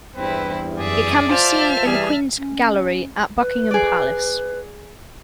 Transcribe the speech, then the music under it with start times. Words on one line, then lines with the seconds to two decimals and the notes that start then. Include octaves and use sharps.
It can be seen in the Queen's Gallery at Buckingham Palace.
0.16 E2 G2 C4 E4 B4
0.78 F#2 G#4 D5 E5
1.30 F4 C5 E5 A5 F6
1.85 E3 G3 G#4
2.37 C#4
3.39 B4
3.71 G#4 D5